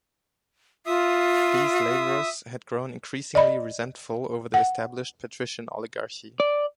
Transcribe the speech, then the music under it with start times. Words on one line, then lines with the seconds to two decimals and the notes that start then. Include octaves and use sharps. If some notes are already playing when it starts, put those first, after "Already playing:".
These labourers had grown increasingly resentful over the established patrician oligarchy.
0.86 F4 E5 D#6
3.35 D5 D#5 B5
4.54 F#5
6.40 D5